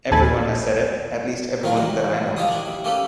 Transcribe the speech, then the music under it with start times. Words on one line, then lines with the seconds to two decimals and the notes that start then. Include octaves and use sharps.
Every one has said it; at least every one that I know.
0.11 A#1 D#2 A4 G#5 B5 A6
1.63 D#3 F#3 F4 A#4
1.77 C3 E3 F#4
2.37 F3 G3 F4 C#5 E5 D#6
2.48 D#3 D4 E4
2.65 G3
2.84 A3 A#3 C#4 G4 A4 B4